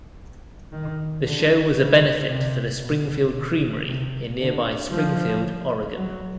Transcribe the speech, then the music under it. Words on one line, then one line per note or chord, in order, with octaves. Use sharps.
The show was a benefit for the Springfield Creamery in nearby Springfield, Oregon.
D#3
D3
C#3
C3
B2
C3
D3
F3
F#3